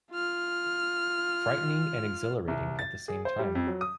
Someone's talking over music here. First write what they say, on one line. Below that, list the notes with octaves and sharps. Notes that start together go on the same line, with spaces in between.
Frightening and exhilarating at the same time.
F4 F6
C2
A6
G#4
C5
G3
F2
F#3
D#6